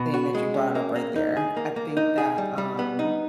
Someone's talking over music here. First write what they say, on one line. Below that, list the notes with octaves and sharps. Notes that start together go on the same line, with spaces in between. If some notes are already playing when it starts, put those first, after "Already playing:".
thing that you brought up right there. I think that, um,
Already playing: B2
F#4
G#3
C#4
A#3
A#3
D#4
G#4
A#3
A#3
D#4
G#4
G3
G3
B3
D#4